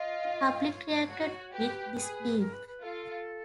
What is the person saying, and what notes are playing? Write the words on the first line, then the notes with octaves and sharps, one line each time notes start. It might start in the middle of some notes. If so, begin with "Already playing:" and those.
The public reacted with disbelief.
Already playing: F4 D#5
C#5
F#4
G4 B4
G#4
A#4
B4
B4
F4 A4